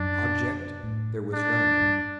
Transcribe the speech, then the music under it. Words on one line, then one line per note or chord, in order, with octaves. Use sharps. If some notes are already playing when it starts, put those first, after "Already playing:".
Object there was none.
Already playing: F#2 D4
A2
D4
G2